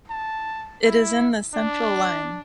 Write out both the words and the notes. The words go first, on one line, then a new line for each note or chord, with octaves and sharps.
It is in the central line.
A5
E4
D4